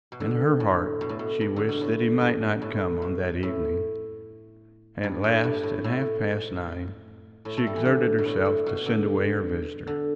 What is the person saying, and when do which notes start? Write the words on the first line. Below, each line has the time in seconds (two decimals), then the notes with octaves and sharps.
In her heart she wished that he might not come on that evening. At last, at half-past nine, she exerted herself to send away her visitor.
0.12 B2
0.20 D3
0.60 A2
1.01 B2
1.09 A2
1.19 B2
1.41 G2
1.56 D3
1.69 B2
1.81 A2
2.21 G2
2.62 A2
3.02 B2
3.43 A2
5.03 G2
5.24 A2
5.44 G2
5.63 A2
5.84 A2
7.45 A2
7.57 A3
7.67 G3
7.76 E3
7.86 D3
8.18 B2
8.25 A2
8.46 A2
8.66 B2
8.86 D3
9.87 D3